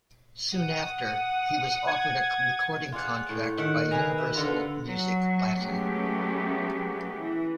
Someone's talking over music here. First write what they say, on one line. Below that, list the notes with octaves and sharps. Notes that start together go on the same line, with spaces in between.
Soon after, he was offered a recording contract by Universal Music Latin.
F#5 D#6
G#6
F4 G#4 D5 F#5
A2
D#3 E5 F#5
G#4 B4 F5 G#5 A#5
G4 E5
D3 B3 F4 A#5
F#3
F#3 G#3 A3 B3 C#4 G4
E3